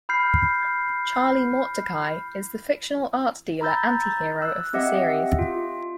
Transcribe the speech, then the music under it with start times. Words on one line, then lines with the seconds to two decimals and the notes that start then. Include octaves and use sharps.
Charlie Mortdecai is the fictional art dealer anti-hero of the series.
0.09 B5 F6 G6 C7
3.61 A#5 B5 E6 G6 A6
4.42 E6 F#6
4.73 C4 G4 D#5 E5 F#5
5.39 F4